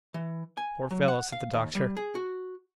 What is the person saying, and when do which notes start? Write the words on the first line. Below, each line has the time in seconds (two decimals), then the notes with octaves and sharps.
"Poor fellow!" said the doctor.
0.14 E3
0.57 G#5
0.91 F#3
1.08 F#5
1.32 F5
1.53 D#2
1.75 G3
1.97 G#4
2.15 F#4